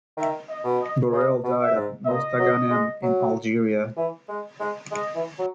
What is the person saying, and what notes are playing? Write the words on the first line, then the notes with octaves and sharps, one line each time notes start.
Borel died at Mostaganem in Algeria.
D#3 E5
D#5
B2
D#5
C#3 D#5
B2
E5
G#2
A#2 D#5
F#3
G#3
F#3
E3
G#3
G#3
G#3 D#5
E3
F#3